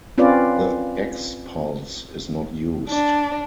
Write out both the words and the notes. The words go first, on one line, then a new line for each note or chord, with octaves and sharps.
The X pulse is not used.
C4 C#4 F4 B4 D5
D4